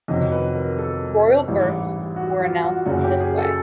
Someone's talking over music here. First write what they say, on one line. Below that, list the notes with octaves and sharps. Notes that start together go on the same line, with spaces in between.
Royal births were announced this way.
F2 C3 D#3 F#3 D#5
B4
A#4
A4
A1 G#2 E3 G3
F#4
F4
F#4
F#1 F#2 C#3 F#4
G4
G#4
A4